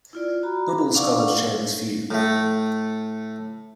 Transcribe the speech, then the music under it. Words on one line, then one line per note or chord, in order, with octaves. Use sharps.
Not all scholars share this view.
E4 F4 D5
F#4 A#5 B5
D4 D5 F5 F#5 C#6 E6
A2 A3